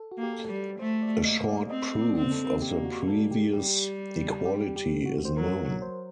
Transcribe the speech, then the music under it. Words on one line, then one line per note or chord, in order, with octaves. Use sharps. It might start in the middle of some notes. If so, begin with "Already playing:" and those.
A short proof of the previous equality is known.
Already playing: A4
F#4
A#3 G4
A4
G3
A3 C5
D5
A#3 D#5
D5
C4 D#5
D5
C4
A4
A#3 G4
F#4
A4
G4
G3 G4
G4
G4
F#4
C5
F#3 A#4
A#4
C5